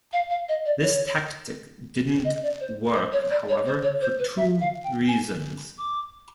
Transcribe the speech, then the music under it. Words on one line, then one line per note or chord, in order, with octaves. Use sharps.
This tactic didn't work however, for two reasons.
F5
F5
D#5
D5
C#5
D#5
D5
C5
C5
C#5
D5
C#5
C5
C#5
C5
B4
E5
F5
G5
G#5
D6